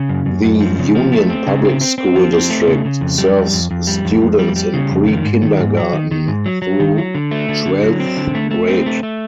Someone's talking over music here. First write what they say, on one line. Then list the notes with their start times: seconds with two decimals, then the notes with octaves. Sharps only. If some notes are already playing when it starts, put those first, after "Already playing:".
The Union Public School District serves students in pre-kindergarten through twelfth grade.
Already playing: C#3
0.09 F#2
0.26 F#2
0.44 F#2
0.60 F3
0.79 C#3
0.95 F3
1.12 A3
1.30 C4
1.47 C#3
1.65 C4
1.81 C4
1.98 C4
2.16 F3
2.33 C4
2.50 A3
2.67 C#3
2.85 C#3
3.01 F2
3.18 G3
3.36 F2
3.53 F2
3.71 F2
3.87 G3
4.05 F2
4.22 F2
4.39 G3
4.56 G3
4.74 C#3
4.91 F2
5.07 D#3
5.25 G#2
5.42 D#3
5.60 G#2
5.77 F#3
5.93 D#3
6.11 D#3
6.27 G#2
6.46 F#3
6.62 F#3
6.80 D#3
6.97 F#3
7.15 D3
7.31 A3
7.49 D3
7.66 D3
7.83 F#3
8.00 C4
8.17 D3
8.35 A3
8.51 A3
8.68 C4
8.86 A3
9.03 A3